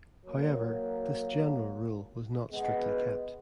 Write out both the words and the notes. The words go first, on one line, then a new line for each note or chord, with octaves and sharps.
However, this general rule was not strictly kept.
F#3 A#3
G#3 B3